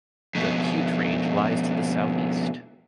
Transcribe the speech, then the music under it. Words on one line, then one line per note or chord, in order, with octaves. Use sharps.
The Piute Range lies to the southeast.
F2 B2